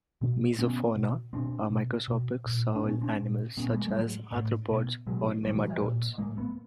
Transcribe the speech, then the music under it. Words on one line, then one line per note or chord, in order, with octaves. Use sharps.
"Mesofauna" are macroscopic soil animals such as arthropods or nematodes.
B2
B2 B3 C#4
B2
B2 C4 D4
B2
B2
A#2
D4
A#2 B3 C#4
C4 D4
A#2
A#2 B3 C#4
A3 B3
G#3 A#3
G3 A3
A2 F#3 G#3
A2
B2
B2 F#3 G#3
A#2 G3 A3
E3 F#3
F3 G3
A#2
A2 G#3 A#3
A3 B3